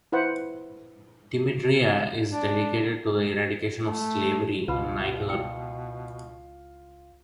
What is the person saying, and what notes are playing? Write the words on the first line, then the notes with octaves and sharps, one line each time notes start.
Timidria is dedicated to the eradication of slavery in Niger.
E4 B4 C5 F#5
D4
A3
C#2 B2 F4 B4 B5
E4 G5